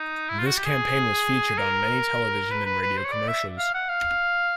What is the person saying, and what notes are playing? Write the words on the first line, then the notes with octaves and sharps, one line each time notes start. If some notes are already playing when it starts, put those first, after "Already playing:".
This campaign was featured on many television and radio commercials.
Already playing: D#4
E4
F4
F#4
G4
G#4
A#4
B4
B4
B4
C5
C#5
D5
E5
F5
F#5
F5